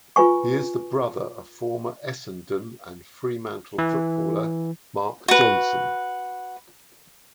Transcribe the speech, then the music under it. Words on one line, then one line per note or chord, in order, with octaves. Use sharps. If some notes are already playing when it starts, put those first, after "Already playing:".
He is the brother of former Essendon and Fremantle footballer Mark Johnson.
F4 B4 G#5 C#6
E3
F#4 B4